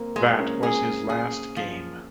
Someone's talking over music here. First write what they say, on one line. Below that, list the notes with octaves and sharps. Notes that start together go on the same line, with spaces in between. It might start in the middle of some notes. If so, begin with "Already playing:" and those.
That was his last game.
Already playing: A#3 C4
G#3 A#3
A#3 C#4
G#4
G#4
F3